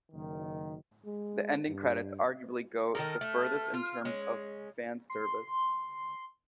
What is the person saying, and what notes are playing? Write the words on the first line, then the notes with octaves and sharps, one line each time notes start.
The ending credits arguably go the furthest in terms of fan service.
F#1 D#3
G#3
G2
D#3 A4 A#4 F6
A3
F4
G#3 C#4
C6